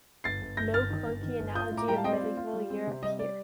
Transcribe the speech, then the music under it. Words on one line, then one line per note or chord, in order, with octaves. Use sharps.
No clunky analogy of medieval Europe here.
G1 A6 C7
G1
G1 G6 A#6
G1 F6 A6
D#3
G1
D#3
G1
F4 D#6 G6
A2
A#5 D6
G3 G5 A#5
F5 A5
C4 D#5 G5
D5
F4
F4
G3
C4
C3
G3 D#5
D5